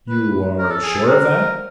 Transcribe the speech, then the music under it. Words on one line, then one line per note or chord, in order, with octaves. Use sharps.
"You are sure of that?"
B4
A#4
A4
G#4
A4
A#4 C5